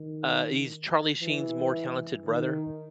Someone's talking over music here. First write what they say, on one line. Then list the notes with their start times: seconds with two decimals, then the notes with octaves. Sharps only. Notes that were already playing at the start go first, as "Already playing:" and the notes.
uh, he's Charlie Sheen's more talented brother.
Already playing: D#3
1.22 E3
2.25 D#3